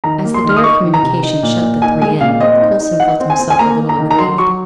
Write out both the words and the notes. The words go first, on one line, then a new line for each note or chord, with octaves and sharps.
As the door of communication shut the three in, Coulson felt himself a little aggrieved.
D#3 A#5
A#3
C6
D#3
F6
D#6
D#4 C#6
D#3
A#5
C3
D#4
A#2
A#2
D#4 G#5
G#3 G#5
A#2 F5
C4 D#5
D#4
D#4
D#4 F#5
C4
G#5
C4
G#5
A#3 A#5
A#3
A#5
D#3
A#5
F#3 C6
F#3 C#6